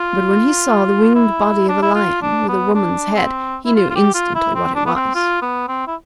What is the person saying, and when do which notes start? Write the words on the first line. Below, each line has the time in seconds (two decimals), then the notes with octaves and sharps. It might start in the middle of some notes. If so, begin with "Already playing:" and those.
But when he saw the winged body of a lion with a woman's head, he knew instantly what it was.
Already playing: F4
1.15 E4
1.69 D4
1.82 E4
1.95 F4
2.22 D4
2.48 B3
2.74 D4
3.15 C4
3.65 E4
3.75 F4
3.90 F4
3.95 G4
4.14 F4
4.35 E4
4.55 C4
4.75 D4
4.86 B3
4.95 C4
5.15 F4
5.42 B3
5.68 C4
5.87 E4